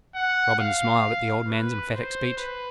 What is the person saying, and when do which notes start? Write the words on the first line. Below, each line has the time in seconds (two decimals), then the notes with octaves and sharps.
Robin smiled at the old man's emphatic speech.
0.15 F#5
0.59 F5
1.48 B4
1.93 C5
2.37 B4